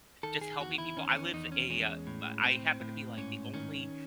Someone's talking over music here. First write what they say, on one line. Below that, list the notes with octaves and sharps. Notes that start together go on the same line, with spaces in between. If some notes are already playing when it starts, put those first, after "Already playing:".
just helping people. I live a, uh, b I happen to be like the only
D#3 A4
G#4
E2 F#4
E4
D#3 C#4
C4
C#4
E2 D#4
C#4
G#3 C#4
A2
A2 C4
A2
G#2 C#4
D#3 C#4